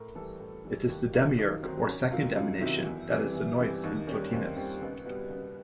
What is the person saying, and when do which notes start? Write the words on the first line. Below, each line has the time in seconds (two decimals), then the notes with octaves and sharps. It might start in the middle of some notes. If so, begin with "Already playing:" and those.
It is the demiurge or second emanation that is the nous in Plotinus.
Already playing: A2 A#4
0.15 E3 G3 A4
0.39 A2
0.65 E3 G3
0.89 D#2 G4
1.13 D#3 F#3 F4
1.37 D#2 D#4
1.63 D#3 F#3 C4
1.86 C#2 C#4
2.11 C3 D#3 F#3 F4
2.35 C#2 F4
2.61 C3 D#3 F#3 E4
2.85 E2
3.09 C3 E3 G3
3.34 E2
3.59 C3 E3 G3
3.84 D#2 D#4
4.07 D#3 G3 C#4
4.33 D#2 C4
4.56 D#3 G3 C4
4.81 C#2 B3
5.05 B2 G3 B3
5.30 C#2 B3